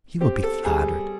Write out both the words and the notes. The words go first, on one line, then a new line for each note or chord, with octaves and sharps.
He will be flattered.
C4 G4
A4
G3 G#4